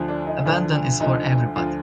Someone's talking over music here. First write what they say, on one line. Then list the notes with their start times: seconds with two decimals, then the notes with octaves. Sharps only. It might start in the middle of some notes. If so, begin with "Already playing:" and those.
Abandon is for everybody.
Already playing: D2 D3 F3
0.08 D4
0.27 D#4
0.45 D2 D3 F3 D4
1.00 D2 D3 F3 D#4
1.56 D2 D3 F3 F4